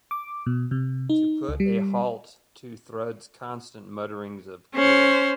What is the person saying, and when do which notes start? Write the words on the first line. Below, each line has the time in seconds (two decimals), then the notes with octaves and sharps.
To put a halt to Thrud's constant mutterings of, Kill!
0.11 D6
0.46 B2
0.71 C3
1.10 D#4
1.49 C#2
1.60 G3
4.75 C#4 C5